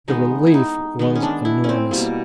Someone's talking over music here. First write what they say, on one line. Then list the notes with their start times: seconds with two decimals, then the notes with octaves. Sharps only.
The relief was enormous.
0.08 D#3 G#3 B3 D#4
0.47 E4
0.54 D#4
0.99 D#3 G#3 B3 D#4
1.15 C#4
1.23 D4
1.45 E4
1.64 C#4
1.69 C4
1.91 B2 G3 A#3